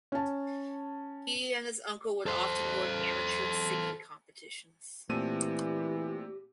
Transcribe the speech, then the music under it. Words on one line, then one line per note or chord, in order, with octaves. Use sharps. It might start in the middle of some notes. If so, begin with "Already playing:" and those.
He and his uncle would often join amateur singing competitions.
C#4 A5
A4 C5
A#2 E3 A3 C4 G4 D#7